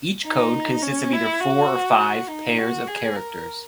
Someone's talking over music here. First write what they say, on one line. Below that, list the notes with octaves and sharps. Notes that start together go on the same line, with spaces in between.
Each code consists of either four or five pairs of characters.
D#4
C#4
E4
F#4
F#4
D#4
F#4
G#4
A#4